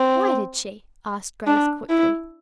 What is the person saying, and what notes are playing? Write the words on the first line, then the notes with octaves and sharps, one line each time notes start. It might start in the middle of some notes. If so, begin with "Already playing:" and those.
"Why did she?" asked Grace quickly.
Already playing: C4
D4
E4